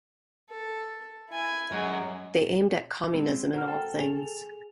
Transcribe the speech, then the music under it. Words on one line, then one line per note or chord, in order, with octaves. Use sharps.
They aimed at communism in all things.
A4
E4 G#5
F#2 G#3
G#3 C4
F#4 A#4 C5 F#5 A#5 F6
A4 G5
G#4 G#5 F7